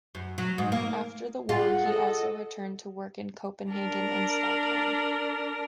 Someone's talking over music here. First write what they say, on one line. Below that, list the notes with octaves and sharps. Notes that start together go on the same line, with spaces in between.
After the war, he also returned to work in Copenhagen and Stockholm.
F#2
F#3
G#2
A#3
F4 G#4 F#5
A4 D#5
D4 A#4